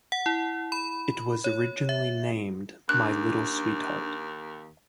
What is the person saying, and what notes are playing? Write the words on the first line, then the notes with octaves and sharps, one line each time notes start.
It was originally named "My Little Sweetheart".
F#5
E4
B5
C#5
E5
D#2 D4 F#6